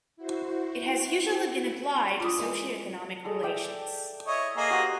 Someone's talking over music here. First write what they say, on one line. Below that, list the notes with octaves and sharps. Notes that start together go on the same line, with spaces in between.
It has usually been applied to socio-economic relations.
E4 F#4 C5
D4 F4 D#6
E3 G#3
G#3 A4 D#5
D5 E5 G5
E4 C#5 D#5
A#3 G#4 D#5
F#4 G4 C5